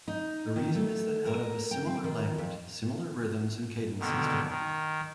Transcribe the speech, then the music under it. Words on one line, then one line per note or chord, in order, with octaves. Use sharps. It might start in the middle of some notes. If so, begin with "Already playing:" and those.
The reason is that out of a similar language, similar rhythms and cadences develop.
D#4
D#3
A3
A#4
G5
C4
D#3
F2
B2 D3 D#3
D#3